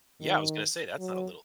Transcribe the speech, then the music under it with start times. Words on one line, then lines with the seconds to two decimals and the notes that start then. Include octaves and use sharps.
Yeah, I was gonna say that's not a little thing.
0.21 D#3
0.99 F#3